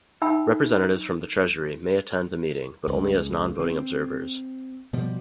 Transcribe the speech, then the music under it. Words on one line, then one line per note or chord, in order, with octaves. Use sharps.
Representatives from the Treasury may attend the meeting, but only as non-voting observers.
D#4 E5 G5 B5 E6
C#2
C4
B2 F3 G3